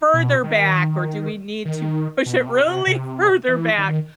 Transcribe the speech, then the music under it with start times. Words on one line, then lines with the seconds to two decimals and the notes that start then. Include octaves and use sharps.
further back, or do we need to push it really further back?"
0.14 B2
0.43 D#3
1.65 D#3
2.26 B2
2.40 B2
2.46 C3
2.67 C3
2.87 C3
3.48 E3
3.78 D#3